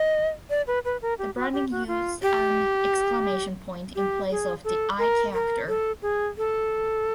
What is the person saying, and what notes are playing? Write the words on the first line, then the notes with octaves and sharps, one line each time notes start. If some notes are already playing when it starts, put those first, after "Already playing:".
The branding used an exclamation point in place of the "I" character.
Already playing: D#5
D5
B4
B4
A#4
G4
F#4
G4
F#4
F4
G4
G4
G#4
A4
A#4
A#4
A4
G#4
A4